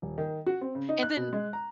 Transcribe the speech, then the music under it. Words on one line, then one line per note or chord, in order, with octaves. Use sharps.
and then,
D#1
D#3
F#4
C4
C#3
D#4
F#6
B2
G#3
A#5